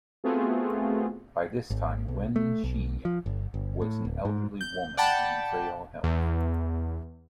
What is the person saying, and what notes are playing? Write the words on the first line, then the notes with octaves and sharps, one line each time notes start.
By this time, Wen Shi was an elderly woman in frail health.
A3 B3 C4 F4 F#4 G#4
G#1
B1
A3
B1
F3
G1
G1
A2
D1
G#2
G6
D5 F#5 G5 A5 B5
E2